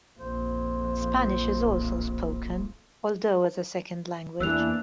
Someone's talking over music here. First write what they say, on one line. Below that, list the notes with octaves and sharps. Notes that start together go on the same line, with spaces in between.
Spanish is also spoken, although as a second language.
A#1 F2 C5
D1
E2 E3 A#3 D4 E6 F#6 F7